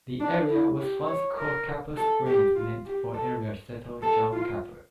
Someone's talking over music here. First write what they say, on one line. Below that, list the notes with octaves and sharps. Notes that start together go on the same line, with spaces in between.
The area was once called Capper Springs, named for area settler John Capper.
D4
E4
G4
C#5
A#4
A4
G4
F4
G4
A4
A4
F4